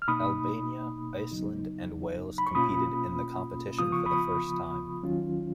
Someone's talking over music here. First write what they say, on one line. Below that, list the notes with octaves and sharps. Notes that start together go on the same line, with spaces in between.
Albania, Iceland and Wales competed in the competition for the first time.
F6
B2 A#3 D#4 B5 D#6
D#2 C#3 F#3 B3 D#4
B5
C#6
B2 A#3 C#4 F4 B5 D#6
C#3 F3 B3 F4 D#6
C#6
B5 D#6
D#2 D#3 F#3 C#4 F4